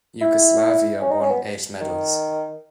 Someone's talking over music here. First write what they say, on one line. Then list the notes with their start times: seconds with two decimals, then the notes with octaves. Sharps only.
Yugoslavia won eight medals.
0.21 E4
1.01 C#4
1.10 D#4
1.21 C#4
1.31 B3
1.81 D#3